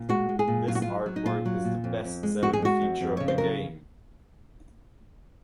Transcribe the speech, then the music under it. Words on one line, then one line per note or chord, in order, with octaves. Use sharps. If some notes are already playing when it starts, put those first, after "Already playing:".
This artwork is the best selling feature of the game.
Already playing: A#2
G#3 F#4
G#3
G#4
A#2
F#3 F4
F#4
F4
F#3
F#3
D#4
A#2 F4
F#3
A#2
F2
F2
G#3
F2 F#4
G#4
G#3 F#4
F2
F2
C#3 C#5
C5
F#3 A#4